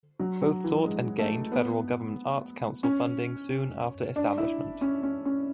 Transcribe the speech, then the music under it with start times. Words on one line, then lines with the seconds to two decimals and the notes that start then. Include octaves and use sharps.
Both sought and gained Federal Government Arts Council funding soon after establishment.
0.19 F#3
0.41 F#3
0.64 E3
0.86 G#3
1.19 A3
1.52 B3
2.83 C#4
4.16 D4
4.38 E4
4.81 C#4
5.03 C#4
5.25 C#4